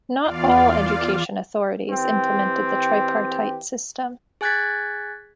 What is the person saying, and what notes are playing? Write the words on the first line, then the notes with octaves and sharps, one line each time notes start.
Not all education authorities implemented the tripartite system.
E2 F4 D5 F5
E3 C4 G4
G#4 G#5 F#6 G#6 A6 B6